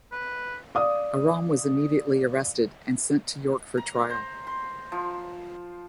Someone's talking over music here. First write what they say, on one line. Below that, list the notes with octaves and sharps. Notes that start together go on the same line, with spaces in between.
Aram was immediately arrested, and sent to York for trial.
B4
D5 F5 D#6
A#5
C5
C6
F3